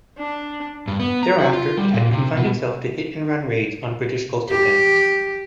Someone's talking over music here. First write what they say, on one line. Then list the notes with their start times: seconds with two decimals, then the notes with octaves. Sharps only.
Thereafter it had confined itself to hit-and-run raids on British coastal towns.
0.18 D4
0.88 G2
1.00 B3
1.23 A#5
1.40 F#4
1.53 F4
1.77 G3
1.94 A#2
2.12 C3
2.37 B2
4.50 G4